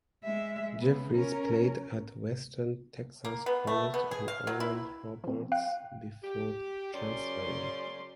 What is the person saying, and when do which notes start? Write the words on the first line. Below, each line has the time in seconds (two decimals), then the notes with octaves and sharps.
Jeffries played at Western Texas College and Oral Roberts before transferring.
0.24 G#3 E5
0.80 C#3 B3
1.13 C#4 A#4
3.25 A#3
3.46 B3
3.67 A3
3.94 B3
4.11 G#4
4.28 F5
4.47 F#3
4.60 E4
5.24 F3 C4
5.52 F5 G5 F#6
6.23 G4
6.93 F#2 C#3 C#4 D5 C6